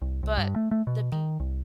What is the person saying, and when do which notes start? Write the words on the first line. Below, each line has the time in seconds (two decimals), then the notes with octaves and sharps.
But the beu
0.02 C2
0.23 C2
0.37 G2
0.56 A3
0.71 A3
0.87 B2
1.12 D#3
1.40 C2